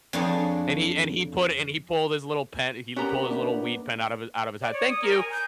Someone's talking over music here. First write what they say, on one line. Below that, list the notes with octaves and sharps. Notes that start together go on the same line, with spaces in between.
And he and he put and he pulled his little pen he pulled his little weed pen out of out of his hat, "Thank you,
F2 F3 D4 G#4 C#5 A5
D2 C3 B3 C#4 G4 A#4 A#5
A#3 D4 B4
D5
C#5
D#6
A#4
G#5
G6